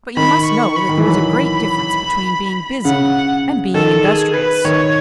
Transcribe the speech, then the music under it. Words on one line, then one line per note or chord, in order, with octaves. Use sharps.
But you must know that there is a great difference between being busy and being industrious.
D#3 B5
C#6
B5
D#3
E3
F#3 B5
C#3 F#5
D#3 A4
G#4
B4
D#3 C#5